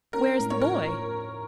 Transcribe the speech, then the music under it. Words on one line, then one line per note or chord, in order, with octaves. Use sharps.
"Where is the boy?"
C#4 A#4
A2
C#5
F3 A#4